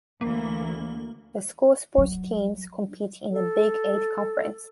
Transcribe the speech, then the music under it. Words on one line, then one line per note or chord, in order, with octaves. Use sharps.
The school sports teams compete in the Big Eight Conference.
D2 E3 A#3
F#3
A4